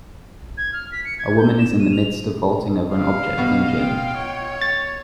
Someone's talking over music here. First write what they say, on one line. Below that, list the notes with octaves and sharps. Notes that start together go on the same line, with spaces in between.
A woman is in the midst of vaulting over an object in a gym.
G#6
F6
B6
C#7
G#6
G6
E7
D#7
F7
G3 F5
G2 B2
F4 G5
C#5
A6